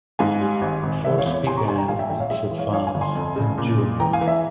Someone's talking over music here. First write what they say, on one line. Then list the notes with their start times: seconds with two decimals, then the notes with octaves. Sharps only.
The force began its advance in June.
0.19 G#2 F5 G#5
0.41 G3
0.61 G#1
0.83 G#1
1.03 E3 E5
1.18 C#5 F5
1.26 E2
1.33 C#5
1.47 C3 G#5 C6
1.57 A#5 C#6
1.67 C3 G#5 C6
1.78 G5 A#5
1.88 A#1 F5 G#5
1.99 E5 G5
2.09 A#1 E5 G5
2.20 C#5 F5
2.30 G#3 E5
2.51 E3
2.58 C#5 F5
2.73 F3 C#5 F5
2.87 F5 G#5
2.94 G1
3.01 G#5 C6
3.15 F2
3.36 C#3
3.58 A#2
3.78 G#3
4.00 E3 G5 A#5
4.13 F5 G#5
4.21 E3
4.28 E5